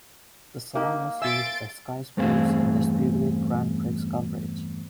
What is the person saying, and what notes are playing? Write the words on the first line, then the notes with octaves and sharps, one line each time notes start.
The song was used by Sky Sports in their Speedway Grand Prix coverage.
A#3 D#4 G4
E5 G#5 C6 E6 A6 D7
E2 G2 A3 C4 G#4 F5